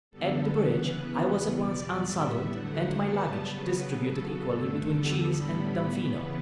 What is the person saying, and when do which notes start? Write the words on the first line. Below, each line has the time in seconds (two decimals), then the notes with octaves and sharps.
At the bridge, I was at once unsaddled, and my luggage distributed equally between Cheese and Damfino.
0.11 F#2 D3 G3 B3 A4
0.58 C#3 E3 B3 B4
1.06 E2 C#3 E3 B3
1.54 E2 B2 G3 D5
2.02 A2 G3 B3 E5
2.49 E2 D3 F#3 A3 F#5
2.97 F#2 C#3 G3 B3 A5
3.44 C#3 F#3 B3 B4
3.92 C#3 F#3 B3 A4
4.40 G2 D3 A3
4.88 E2 D3 G3 B3
5.35 A2 G3 B3 B4
5.83 C#3 E3 B3 B4